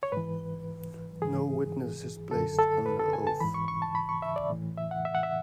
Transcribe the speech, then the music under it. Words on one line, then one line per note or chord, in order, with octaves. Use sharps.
No witness is placed under oath.
C#5
G#2 E3 B4
G#2 E3 G#4
F#2 D3 A4
A4
B4
A4
G#5
A5
G#2 E3 B5
C#6
C#6
A5
B5
C#6
E5
D5
A2 E3
E5
F#5
E5
F#5
E5